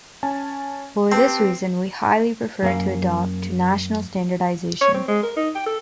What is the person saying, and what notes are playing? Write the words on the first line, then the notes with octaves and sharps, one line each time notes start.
For this reason we highly prefer to adopt to national standardization.
C#4 G#5 A5
C4 G4 B4 A5
F#2 A#3 F5
C#5
C4
G#3
A#4
D#4
G5
A4